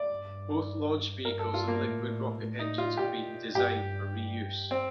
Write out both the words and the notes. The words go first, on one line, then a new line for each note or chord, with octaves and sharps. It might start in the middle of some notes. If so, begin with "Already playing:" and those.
Both launch vehicles and liquid rocket engines are being designed for reuse.
Already playing: D5
G2
G2 A#4
A4
F4
A#3
A2
A2
D#4
F4
A#2 G4
G2 G4
C4